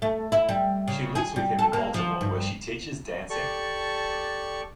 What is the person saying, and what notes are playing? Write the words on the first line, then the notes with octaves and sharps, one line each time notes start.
She lives with him in Baltimore where she teaches dancing.
A3
E4
G3
C#3
G#4
G3
A4
A#3
F3
G2
G4 A4 D5 C#6